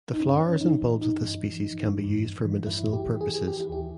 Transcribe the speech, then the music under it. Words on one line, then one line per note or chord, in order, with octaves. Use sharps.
The flowers and bulbs of this species can be used for medicinal purposes.
D#4
G2 C#4
G2 C#4
E3 D#4
E3
G2 D#4
G2
E3
E3
G2
G2
E3
E3
G2 E4
G2
G4
E3
G#4
E3
E3 G4
E4
D#2 G4